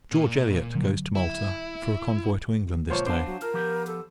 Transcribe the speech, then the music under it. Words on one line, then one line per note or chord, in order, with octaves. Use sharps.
George Elliot goes to Malta, for a convoy to England, this day.
A#2
D3 F#3
E4
C#2 A#2 F3 C5 C#5
B3 D4 C5 F5 A5
F#3
F4 A#4
F3 B3 G4
A4